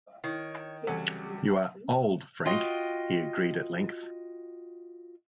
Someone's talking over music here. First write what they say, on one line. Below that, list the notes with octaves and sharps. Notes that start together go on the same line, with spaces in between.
"You are old, Frank," he agreed at length.
D#3 E4 C#5 C#6
C#2 C3 E3 F#3 G3 A4 F#5 G#5
F4 F#4 D#5 G5